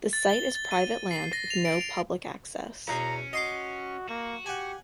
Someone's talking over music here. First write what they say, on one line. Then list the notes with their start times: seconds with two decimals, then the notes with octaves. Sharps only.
The site is private land with no public access.
0.13 A6
0.29 G7
0.55 A6
0.71 D#7
1.11 C7
1.33 A#6
1.50 F7
1.65 D7
1.81 F7
2.88 E2 B2 C#4 A#5
3.33 F#4 D#5 C6 D6
4.09 A#3 F#4
4.46 G4 F#5 G#5